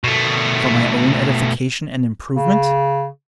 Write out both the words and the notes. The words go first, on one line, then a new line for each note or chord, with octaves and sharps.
For my own edification and improvement?
B2 A3
C#3